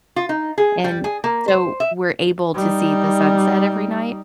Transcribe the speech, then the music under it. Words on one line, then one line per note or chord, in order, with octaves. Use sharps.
and so we're able to see the sunset every night.
F4
D#4
G#4
G3
G#4
A#3
C5
E5
G3 D#4